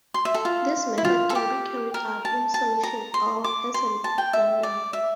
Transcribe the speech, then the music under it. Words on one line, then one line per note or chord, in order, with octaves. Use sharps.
This method can be carried out in solution or as an enamel.
C6
E5
A4
F4
E4
F4
A4
G4
A#4
A5
A5
A#5
C6
D6
C6
A5
G5
E5
D5
E5